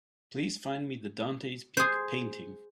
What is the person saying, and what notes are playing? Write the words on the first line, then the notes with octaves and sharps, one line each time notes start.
Please find me the Dante's Peak painting.
G#4 C5